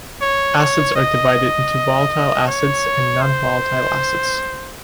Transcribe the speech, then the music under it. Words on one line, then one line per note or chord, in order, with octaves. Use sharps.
Acids are divided into "volatile acids" and "nonvolatile acids".
C#5
C#5
D#5
C#5
C5